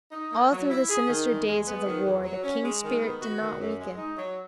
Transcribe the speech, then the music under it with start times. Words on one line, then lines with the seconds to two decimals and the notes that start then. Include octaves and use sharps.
All through the sinister days of the war the King's spirit did not weaken.
0.12 D#4
0.31 A#3
0.51 F#3
0.70 E4
0.89 G#4
1.09 D#3
1.28 E2
1.48 G#3
1.67 B3
1.86 D#3
2.05 E2
2.24 F#3
2.44 C#4
2.63 G#3
2.82 D#3
3.02 B3
3.21 F#4
3.40 D#3
3.59 F#2
3.79 G#3
3.98 D#4
4.17 F#3